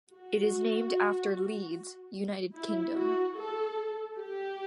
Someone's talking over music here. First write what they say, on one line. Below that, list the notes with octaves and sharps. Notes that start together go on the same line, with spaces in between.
It is named after Leeds, United Kingdom.
F#4
E4
F#4
A4
G4